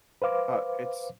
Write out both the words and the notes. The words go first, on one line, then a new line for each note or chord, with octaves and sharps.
Uh, it's
B4 C5 F5 D6